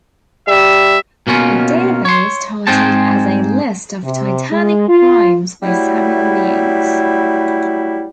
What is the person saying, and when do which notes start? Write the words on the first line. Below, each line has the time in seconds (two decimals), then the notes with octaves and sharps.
The database started as a list of titanic primes by Samuel Yates.
0.48 G3 E5
1.27 B2 A#3 C#4 F4
2.05 C#5 C6
2.67 G#2 G#3 C4 G#4 C5 A5
4.03 C3
4.51 G#3
4.88 F4
5.63 F#3 G3 A3 E4